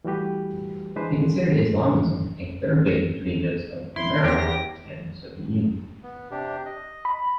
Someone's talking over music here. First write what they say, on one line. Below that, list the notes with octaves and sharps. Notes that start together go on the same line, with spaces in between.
They considered Islamism a third way between those of America and the Soviet Union.
E3 G3 A3 F#4 G4 B4
E3 G#3 D4 B4 C5
E4 C6
E2 G4 A#6
B3
C3 D4 G4
D#5
B5